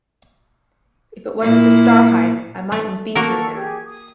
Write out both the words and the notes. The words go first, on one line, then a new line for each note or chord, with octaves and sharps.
If it wasn't for Starhyke, I mightn't be here now.
A#2 A#3 E4
A3
A#3 F#4 A4 A#4 C#6
G4 G#4
D#6